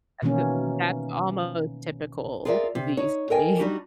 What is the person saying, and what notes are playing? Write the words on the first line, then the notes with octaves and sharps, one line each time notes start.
At the that's almost typical, these days,
B2 D#3 E3 A#3 C#4
F4 G#4 A#4 B4 D5 E5
C3
D#4 C#5
A4 A#4 D#5 G5 G#5
G3 D4 D#4 F#4 G4